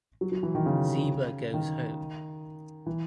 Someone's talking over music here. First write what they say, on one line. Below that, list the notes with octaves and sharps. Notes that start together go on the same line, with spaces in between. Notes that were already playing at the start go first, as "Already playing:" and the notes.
Zeba goes home.
F#3
F#3
E3
D#3
C#3
D#3
E3